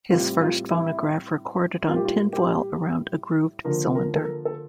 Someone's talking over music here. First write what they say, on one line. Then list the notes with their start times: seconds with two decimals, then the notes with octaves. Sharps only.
His first phonograph recorded on tinfoil around a grooved cylinder.
0.11 A2 G3 C4 F4
0.41 F4
0.70 E4
1.88 A2 G3 A#3 F4
1.96 G4
2.05 F4
2.33 G4
3.64 D3 F3 A#3 A#4
3.95 A#4
4.16 A4
4.24 A#4
4.45 A4